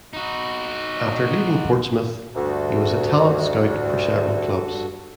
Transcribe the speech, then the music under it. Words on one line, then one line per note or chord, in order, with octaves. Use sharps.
After leaving Portsmouth he was a talent scout for several clubs.
D#4 F#4
D2 G2 F#4 A4